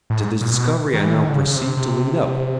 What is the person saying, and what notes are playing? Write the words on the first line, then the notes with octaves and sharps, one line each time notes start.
To this discovery I now proceed to lead up.
A2
G#2
A#2
B2
D#3
E3
D#3
D3
C#3
C#3
C3
C3